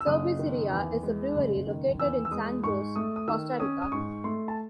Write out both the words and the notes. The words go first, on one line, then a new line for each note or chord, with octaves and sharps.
Cerveceria is a brewery located in San Jose, Costa Rica.
E6
F#1 D#6
D#3
E2
G#3
F#1
D#3
E2 E6
E6
G#3 D#6
G#2 C#6
A3 D#6
D#6
D#3 E6
C#4 D#6
D#6
G#2 C#6
A3 C6
A5